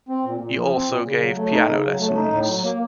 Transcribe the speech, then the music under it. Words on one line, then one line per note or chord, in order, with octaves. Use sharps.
He also gave piano lessons.
C4
A#2
A#2
F3
C4
A#2
C#3
F#3
A3
D#4
C#3
F#3
A3
D#4
A2
F#3
A#3